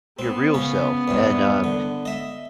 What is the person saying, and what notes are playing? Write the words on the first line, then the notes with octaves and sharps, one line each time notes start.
your real self and, um,
B3 C4
C#3 C#4
E2 G2 C3
D3
D#5 E5